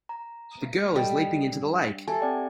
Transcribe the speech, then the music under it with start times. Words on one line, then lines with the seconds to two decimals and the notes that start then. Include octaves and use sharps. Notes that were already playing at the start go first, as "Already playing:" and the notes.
The girl is leaping into the lake.
0.09 A#5
0.96 G3 A4 D#5
1.53 D4
2.08 G4 A4 E5 G#5
2.21 C4 D5 G5